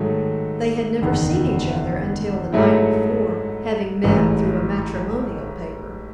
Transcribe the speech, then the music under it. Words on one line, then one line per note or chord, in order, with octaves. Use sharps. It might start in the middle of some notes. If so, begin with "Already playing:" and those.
They had never seen each other until the night before, having met through a matrimonial paper.
Already playing: G#2 D#3 F#3 A3
F#1 E2 D#3
G#2 F#3 A3 E4
A1 G#2 E3